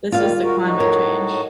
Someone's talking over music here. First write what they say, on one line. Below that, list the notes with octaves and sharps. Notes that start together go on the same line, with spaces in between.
This is the climate change.
D#3 G3 A#3 F4 F5
F#4 A#4
A2 D#4 F#4
A#4 C#5